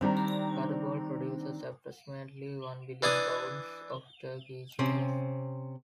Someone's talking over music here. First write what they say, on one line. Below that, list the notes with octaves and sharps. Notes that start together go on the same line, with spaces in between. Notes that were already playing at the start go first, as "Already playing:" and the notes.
Butterball produces approximately one billion pounds of turkey each year.
D#3 G3 C4 D4 A#5
E3 D4 G#5 D#6
C3 C4 C#4